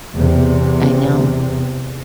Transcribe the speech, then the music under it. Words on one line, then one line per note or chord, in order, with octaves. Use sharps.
I know.
E2 C3 C4